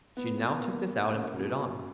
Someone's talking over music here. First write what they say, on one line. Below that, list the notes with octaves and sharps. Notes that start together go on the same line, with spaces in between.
She now took this out and put it on.
B3
B3
A#3
A#3
C#3
C#3
B2